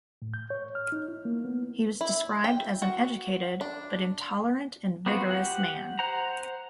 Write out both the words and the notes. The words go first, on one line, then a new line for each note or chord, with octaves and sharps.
He was described as an educated, but intolerant and vigorous man.
A2
G6
C#5
F6
D#4
E4
A#3
B3
E4
G5
F#4
D4
B3 C4 F4 F#4
G4 F#5
C5 F#5 A#5